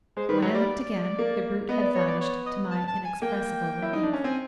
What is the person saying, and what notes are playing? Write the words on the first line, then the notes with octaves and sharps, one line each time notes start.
When I looked again the brute had vanished, to my inexpressible relief.
G#3 C5
D#3 B4
F#3
G3 D5
A#3
B3 D#5
D5
C#5
D5
C#5
D#5
A5
A5
G#5
A#3 G5
E4
D#4
D4
C#4
C4 G#5